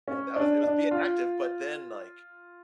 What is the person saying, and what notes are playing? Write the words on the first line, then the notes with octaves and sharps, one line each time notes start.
and I was it was being active, but then, like,
C#4
D4
D4
F4